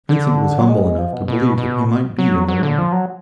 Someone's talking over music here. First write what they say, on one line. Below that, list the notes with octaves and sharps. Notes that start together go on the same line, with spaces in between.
Vincent was humble enough to believe that he might be in the wrong.
D3
F#3
G#3
F3
B2
B2
B2
F#3
F#3
D3
F3
F#3